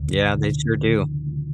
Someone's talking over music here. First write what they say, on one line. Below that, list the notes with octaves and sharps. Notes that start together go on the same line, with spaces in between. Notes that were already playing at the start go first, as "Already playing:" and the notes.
Yeah, they sure do.
Already playing: D2
D2
D2